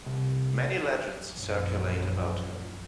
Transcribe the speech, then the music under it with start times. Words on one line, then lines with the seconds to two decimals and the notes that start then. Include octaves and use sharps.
Many legends circulate about him.
0.06 C2
1.34 A#1 F#2